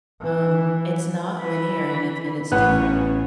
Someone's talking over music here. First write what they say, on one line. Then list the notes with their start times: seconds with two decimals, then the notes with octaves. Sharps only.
um, it's not linear and it's and it's different
0.21 E3
1.39 E3 B5
2.52 A1 B3 C#4 F#5 F#6